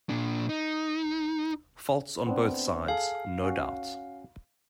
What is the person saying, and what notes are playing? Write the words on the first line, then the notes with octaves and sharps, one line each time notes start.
Faults on both sides, no doubt.
A#2 D4
D#4
B3 C4 D4
G#4 A4 F5
C#4 F#4